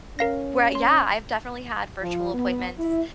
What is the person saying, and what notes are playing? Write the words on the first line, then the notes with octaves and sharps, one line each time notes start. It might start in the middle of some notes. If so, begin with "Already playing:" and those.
Well, yeah, I've definitely had virtual appointments,
C#4 A#4 F5 A#6
C6
F3
B3
E4